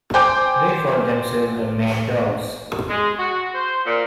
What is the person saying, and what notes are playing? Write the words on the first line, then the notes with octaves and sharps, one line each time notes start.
They called themselves the Mad Dogs.
C5 G5 G#5 D6 G6
G#3
F#4
C5
A#2